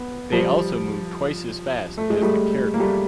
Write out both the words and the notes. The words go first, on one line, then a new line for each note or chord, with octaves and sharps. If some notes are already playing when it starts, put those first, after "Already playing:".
They also moved twice as fast as the character.
Already playing: B3
F3 G3
A3
G#3
G3 A3
A#3
G3 A3